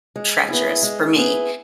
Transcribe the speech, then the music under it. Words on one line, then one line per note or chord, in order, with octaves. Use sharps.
treacherous for me,
G#3
B3 E4 G#4
G#3
B3 E4 G#4